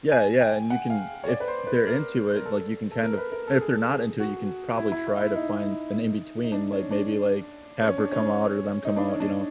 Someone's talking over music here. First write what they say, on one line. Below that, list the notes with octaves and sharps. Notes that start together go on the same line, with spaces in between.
Yeah, yeah, and you can if they're into it, like, you can kind of and if they're not into it, you can probably try to find an in-between, like, maybe, like, have her come out or them come out, you know,
G#5
G5
F#5
F5
C#5
D5
B4
C5
B4
A#4
A#4
A4
A4
A#4
B4
A#4
A4
G#4
A4
G#4
F#4
E4
E4
E4
E4
D#4
D#4
D4
C#4
D4
C#4
D4
C#4
D#4
D4
C#4
D4